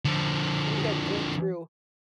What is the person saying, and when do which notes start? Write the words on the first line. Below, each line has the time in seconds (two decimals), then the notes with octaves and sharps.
we had went through
0.05 D3 F3